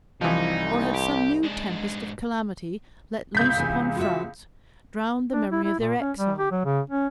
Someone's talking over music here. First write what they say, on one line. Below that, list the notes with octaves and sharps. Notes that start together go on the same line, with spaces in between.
Or had some new tempest of calamity, let loose upon France, drowned the memory of their exile?
C2 E3 F3 D#4
G4
G#2 D4
C#2 C3 G6 B6
C3 E3 G#5
F4 F#4 E5
D4
E4
E4
A#2
C#4
G3
G4
F#3
C#3
C#4